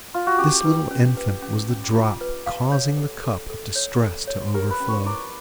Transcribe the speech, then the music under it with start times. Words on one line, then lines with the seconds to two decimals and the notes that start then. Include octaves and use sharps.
This little infant was the drop causing the cup of distress to overflow.
0.14 F4
0.27 F#4
0.38 C#4 G4
0.65 B4
0.91 C#4
1.17 B4
1.42 C#4
1.68 C#4
1.95 F4
2.21 B4
2.46 F5
2.72 C#5
2.98 A4
3.24 A4
3.50 A4
3.75 C#5
4.01 A4
4.27 C#5
4.54 G4 A#4
4.71 B4
4.80 C#4
4.89 C#5
5.06 E4 D5